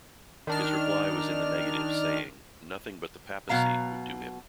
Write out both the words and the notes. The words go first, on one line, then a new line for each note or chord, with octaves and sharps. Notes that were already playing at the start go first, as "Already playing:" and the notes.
His reply was in the negative saying 'nothing but the papacy' would do him.
D#3 D4 F6
B2 F#3 F5 A#5